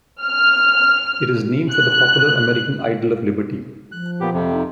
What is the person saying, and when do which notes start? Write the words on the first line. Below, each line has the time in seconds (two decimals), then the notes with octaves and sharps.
It is named for the popular American ideal of liberty.
0.22 F6
1.72 F#6
3.92 F3 F#6
4.21 A#2 B3 G4
4.33 F2 C3
4.53 D#4